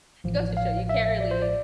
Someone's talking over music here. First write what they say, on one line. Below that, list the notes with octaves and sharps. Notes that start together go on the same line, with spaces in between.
it goes to show you can't really
A1 A2 F3
F5
E5
D5
C5
D5